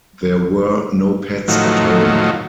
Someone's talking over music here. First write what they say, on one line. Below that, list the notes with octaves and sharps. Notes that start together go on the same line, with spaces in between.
There were no pets at home.
A2 D#3 F3 F#3